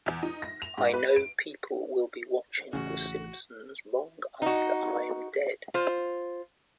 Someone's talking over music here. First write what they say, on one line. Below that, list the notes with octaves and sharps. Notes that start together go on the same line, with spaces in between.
I know people will be watching "The Simpsons" long after I'm dead.
E2
D#4
A#6
F7
G#2
B4
D7
A1 C#3 F#4
D#4 F#4
F4 C5